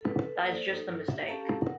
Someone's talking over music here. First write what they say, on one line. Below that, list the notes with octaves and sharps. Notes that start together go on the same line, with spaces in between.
That is just the mistake.
A4 B4
A#3 A4 C5 D5
D#4 A4
E5
C#4 G4 A4 F5 A5 A#5
A#4 F#5